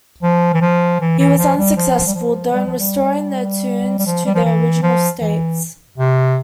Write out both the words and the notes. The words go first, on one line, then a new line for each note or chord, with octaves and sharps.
He was unsuccessful, though, in restoring the tunes to their original states.
F3
E3
F3
E3
E3
F3
G3
F3
G3
F3
G3
F3
G3
G3
F3
G3
F3
E3
F3
E3
C3